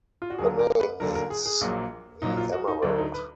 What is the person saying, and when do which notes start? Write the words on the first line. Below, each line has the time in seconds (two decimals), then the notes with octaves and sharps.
The name means "the emerald".
0.22 F4
0.30 F#4
0.38 D#2 D3 F#3 G#4
0.59 A#4
0.80 B4
1.00 D#2 D3 F#3 A#4
1.15 A#4
1.30 G#4
1.46 G#4
1.61 A#1 A#2 F#3
2.22 A#1 A#2 F#3 D#4
2.37 F4
2.52 F#4
2.68 D#4
2.82 D2 D3 F#3 D4
2.98 D#4
3.14 B4